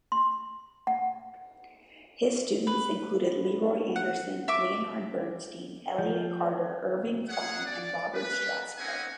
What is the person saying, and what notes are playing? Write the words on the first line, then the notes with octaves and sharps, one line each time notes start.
His students included Leroy Anderson, Leonard Bernstein, Elliott Carter, Irving Fine, and Robert Strassburg.
C6
F#5
B4
F#5
E5 C#6 D6
F3
C#4 G#4 C#5 F#5
D5
B4
A#3 C4 C#4 D#4 F#5 G#5